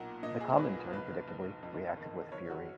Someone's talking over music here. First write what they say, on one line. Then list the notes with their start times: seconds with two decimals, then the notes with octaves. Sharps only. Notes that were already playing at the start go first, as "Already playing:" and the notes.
The Comintern, predictably, reacted with fury.
Already playing: B1 A#2 F#5 A#5
0.23 A#2 D#5
0.40 G#4
0.57 B1 B4
0.93 F#1 B4
1.28 F#1
1.63 F2
1.97 D#3
2.32 F#1 C#5
2.50 F#4